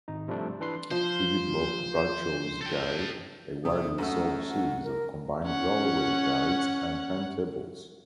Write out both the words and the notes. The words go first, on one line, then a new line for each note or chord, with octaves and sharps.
He developed Bradshaw's Guide, a widely sold series of combined railway guides and timetables.
G#1 D#4
C3 F3 G3 A3 D4
E3 D4 B4 C6 C7
F3 C5
A4 G5
C3 D#6
F#2 A3 F#5 E6
F#5
A#4
C#4 F#5